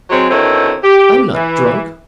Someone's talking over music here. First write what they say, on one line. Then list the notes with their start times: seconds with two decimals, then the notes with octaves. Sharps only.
I'm not drunk.
0.10 F#3 G#3 C4
0.30 B2 D3 D#3 C4 E4 C#5
0.84 G4
1.34 E3